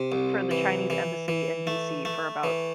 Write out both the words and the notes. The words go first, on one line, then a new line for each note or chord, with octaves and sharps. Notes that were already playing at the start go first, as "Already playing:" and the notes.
for the Chinese embassy in DC for about
Already playing: C3
C2
E3
E3
E3
A3
A3
E3